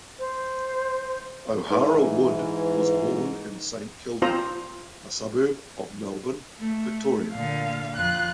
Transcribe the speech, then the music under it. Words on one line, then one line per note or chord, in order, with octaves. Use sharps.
O'Hara Wood was born in Saint Kilda, a suburb of Melbourne, Victoria.
C5
G#2 E3
C4 F4 C5 A#5
A3
A#2 D3 F5
F2 F4 F#6